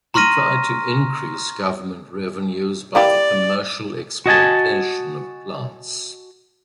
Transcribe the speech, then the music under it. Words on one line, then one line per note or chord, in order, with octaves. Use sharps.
He tried to increase government revenues by the commercial exploitation of plants.
A#5 C6 C#6 F6 A#6 D#7
A#3 E4 G4 D5
F#4 D#5 G#5 A5